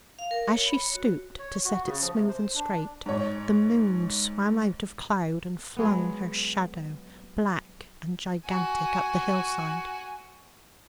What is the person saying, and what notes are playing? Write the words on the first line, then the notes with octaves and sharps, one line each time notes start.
As she stooped to set it smooth and straight, the moon swam out of cloud and flung her shadow, black and gigantic, up the hillside.
F5
A#4
C#5
B5
C#5
F#4
C#5
F#4
C#3
F3
C3
C5
D4
G#2 C#5
F#3 G#3 B3
F#4 G#5